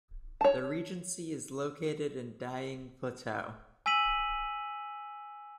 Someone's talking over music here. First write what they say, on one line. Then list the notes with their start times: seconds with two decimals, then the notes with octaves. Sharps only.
The regency is located in Dieng Plateau.
0.41 C#5 A5
3.86 G#5 E6 B6 D#7 F#7